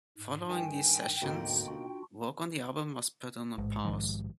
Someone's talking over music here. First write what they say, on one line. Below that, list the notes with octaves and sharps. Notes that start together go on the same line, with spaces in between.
Following these sessions, work on the album was put on a pause.
G#2
G2 D#3 G5 G#5
D2 G#2 B2 A#3 D#4
D4 F4 F#4
A1 G#2
A#1 D#3 F3